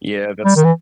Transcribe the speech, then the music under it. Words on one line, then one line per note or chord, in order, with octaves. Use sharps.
Yeah, that's
G3
D#3
E3